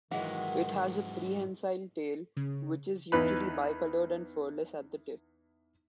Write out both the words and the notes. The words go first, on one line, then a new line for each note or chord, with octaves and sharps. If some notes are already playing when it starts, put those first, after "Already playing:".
It has a prehensile tail which is usually bicoloured and furless at the tip.
G#2 D#3 E3 F#3 G#3 F#5
C#3
E2 D#4 B4 B5